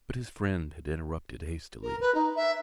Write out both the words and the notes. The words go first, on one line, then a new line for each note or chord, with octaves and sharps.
But his friend had interrupted hastily.
A#4
B4
D#4
E5